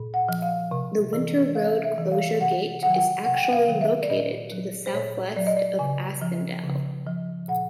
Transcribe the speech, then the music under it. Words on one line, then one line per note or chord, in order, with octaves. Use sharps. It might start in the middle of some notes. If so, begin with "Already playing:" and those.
The winter road closure gate is actually located to the southwest of Aspendell.
Already playing: A#2
F#5
F3
F5
C3
E3
C3 F5
E5
E3
F5
C3 F#5
D#3 F#3 F#5 G5
F#5
C3 F#5
G5
F#5
F5
D#3 F#3
E5
D5
A#2 D#5
F#3
C5
A#2 C#5
F#3 D5
D#5
D5
C#3 G#5
F3
C#3
F3
A#2 F#5